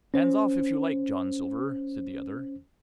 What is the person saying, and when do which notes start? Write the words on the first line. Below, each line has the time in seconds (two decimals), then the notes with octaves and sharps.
"Hands off, if you like, John Silver," said the other.
0.14 C#4 C5